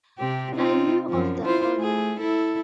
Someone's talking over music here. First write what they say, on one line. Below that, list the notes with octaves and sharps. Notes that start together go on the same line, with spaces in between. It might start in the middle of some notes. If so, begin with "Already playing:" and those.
I knew of the order.
C3 C4 G4
C4 D#4 F4
F#2 F3
E4 F4 C5
A3 G#4
E4 A4